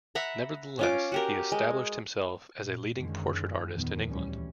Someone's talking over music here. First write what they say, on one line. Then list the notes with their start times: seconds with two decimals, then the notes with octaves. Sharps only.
Nevertheless, he established himself as a leading portrait artist in England.
0.15 E5 F#5 A#5 B5
0.79 C#4 F4 D6
1.12 F#4 G4 A#4
1.52 G#3
2.60 A#2
2.96 F#2 D3 D#3 G#3 C#4
3.74 E2 A#2 D#3 F3 B3
4.09 D2 A#2 E3 G3 C#4